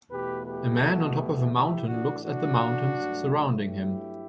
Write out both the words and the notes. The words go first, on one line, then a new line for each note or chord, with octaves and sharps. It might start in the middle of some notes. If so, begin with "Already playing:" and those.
A man on top of a mountain looks at the mountains surrounding him.
E2 B2 A3 G4 B4
G4 B4
F#4 A4
E4 G4
A2 E3 A3 E4 G4
D4 F#4
D4 F#4
G2 F#3 A3
E4 G4